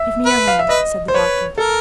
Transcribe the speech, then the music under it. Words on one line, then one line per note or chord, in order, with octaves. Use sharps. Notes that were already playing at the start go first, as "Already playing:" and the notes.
"Give me your hand," said the doctor.
Already playing: E5
B4
F5
E5
B4 D#5
C5
B4 C#5
A4 A#4